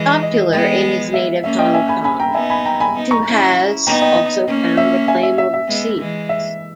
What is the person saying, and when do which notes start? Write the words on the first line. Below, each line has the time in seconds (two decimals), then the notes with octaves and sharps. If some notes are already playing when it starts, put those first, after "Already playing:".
Popular in his native Hong Kong, To has also found acclaim overseas.
Already playing: E3 G#3
0.23 D#5
0.37 D#5
0.52 G#3 B3 D#5 G5
1.14 E5
1.44 A#3 C#4 E5
1.59 D#5 G5
1.74 E5 G#5
1.89 G#5 B5
2.04 G#5 B5
2.20 G5 A#5
2.34 B3 D#4 E5 G#5
2.50 G#5 B5
2.65 G5 A#5
2.80 G#5 B5
2.95 B3 D#4
3.11 A#5 C#6
3.26 C#4 E4
3.87 B3 D#4 G5 A#5
4.02 D#5 G5
4.16 D#5
4.47 A#3 C#4
4.77 E5
5.08 E5 G#5
5.23 E5
5.38 E5
5.54 E5
5.68 G#3 B3
5.99 E3 G#3
6.29 E5